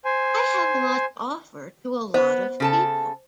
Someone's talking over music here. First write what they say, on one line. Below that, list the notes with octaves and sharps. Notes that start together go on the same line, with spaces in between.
I have a lot to offer to a lot of people.
C5 G#5
B3 C5
C#3 A4 A5